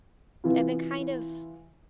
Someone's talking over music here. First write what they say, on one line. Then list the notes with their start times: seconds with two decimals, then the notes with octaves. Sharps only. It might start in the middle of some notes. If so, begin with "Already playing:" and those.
I've been kind of,
0.44 C3 E3 E4 F4